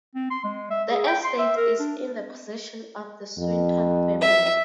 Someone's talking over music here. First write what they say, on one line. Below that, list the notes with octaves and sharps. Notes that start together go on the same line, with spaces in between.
The estate is in the possession of the Swinton Family.
C4
C6
G#3
E5
G#4
G5
C6
E5
A#4
D4
F2
E5